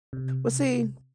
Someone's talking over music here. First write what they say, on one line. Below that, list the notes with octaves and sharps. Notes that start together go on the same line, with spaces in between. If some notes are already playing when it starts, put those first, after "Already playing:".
well, see,
C3